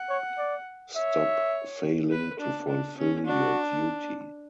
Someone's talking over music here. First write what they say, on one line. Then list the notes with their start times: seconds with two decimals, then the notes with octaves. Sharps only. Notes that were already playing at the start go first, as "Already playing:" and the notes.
Stop failing to fulfill your duty.
Already playing: F#5
0.09 C#5
0.38 D5
0.96 C#5 E5
2.11 B4
2.40 D4
2.68 D4
2.97 C#4
3.26 D4 F#4